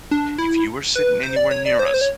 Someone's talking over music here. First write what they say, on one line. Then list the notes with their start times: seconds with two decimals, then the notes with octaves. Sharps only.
if you were sitting anywhere near us
0.11 D4
0.38 E4
0.95 B4
1.23 C5
1.36 D5
1.51 C#5
1.66 D5
1.79 C5
1.86 C#5
1.94 C5
2.01 C#5